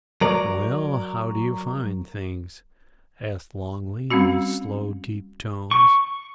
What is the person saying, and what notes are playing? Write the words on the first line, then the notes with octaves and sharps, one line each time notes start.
"Well, how do you find things?" asked Longley, in his slow, deep tones.
F#3 A#4 D5
G3 C4 C#4 F#4
C#6